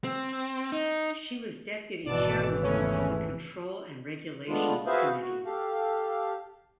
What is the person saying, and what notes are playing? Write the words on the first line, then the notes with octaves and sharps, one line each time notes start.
She was deputy chairwoman of the Control and Regulations Committee.
C4
D#4
G#1 B2 E3 D5 A5
E2 C#3 A3 C#4
G#3 A3 B3 D4 F4
F#4 G#4 B4 C5 E5 F5
F#4
G4 A4 F5